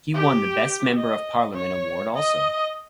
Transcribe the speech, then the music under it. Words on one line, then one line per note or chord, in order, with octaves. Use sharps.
He won best member of parliament award also.
G4
D#5
C#5
D#5